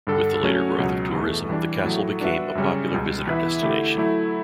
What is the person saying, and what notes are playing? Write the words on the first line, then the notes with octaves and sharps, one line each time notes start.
With the later growth of tourism, the castle became a popular visitor destination.
G2 D3 G3 D4 A4
F#3 A3 C#4 F#4 C#5
C#2 B2 F#3
E2 B2 A3
E3 G3 D4
A2 F#3 A3
G3 D4 F#4 B4 E5
F#2 C#3 G3 C#4
C#2 B2 G3
E3 B3 E4 B4 E5
D3 A3 E4 G4
F#3 A3 E4